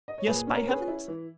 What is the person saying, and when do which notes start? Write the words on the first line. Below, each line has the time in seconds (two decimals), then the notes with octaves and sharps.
Yes, by heavens!
0.08 D#5
0.18 C#5
0.26 A#2 G#4 B4
0.47 C#4
0.56 A#4
0.67 C#4 G#4 B4
0.88 E4
1.08 E3